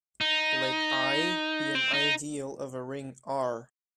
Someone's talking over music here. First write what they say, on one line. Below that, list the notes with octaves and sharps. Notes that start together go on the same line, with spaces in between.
Let "I" be an ideal of a ring "R".
D#4
C4
D#4